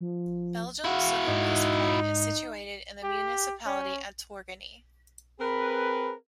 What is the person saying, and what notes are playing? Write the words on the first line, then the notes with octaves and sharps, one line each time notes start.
Belgium's southernmost point is situated in the municipality, at Torgny.
F3
E4 F#4 F5
G#2 D#4
G4
C#4
C4 G#4 A#4 B4